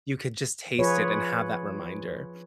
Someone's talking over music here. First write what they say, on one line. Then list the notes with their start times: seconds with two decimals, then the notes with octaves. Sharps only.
you could just taste it and have that reminder.
0.79 F3 F4 G#4 B4 C#5